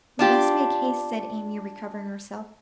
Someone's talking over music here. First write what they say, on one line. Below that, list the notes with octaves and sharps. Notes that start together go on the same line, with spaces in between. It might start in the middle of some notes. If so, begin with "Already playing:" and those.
'We must make haste,' said Amy, recovering herself.
D4 F4 G4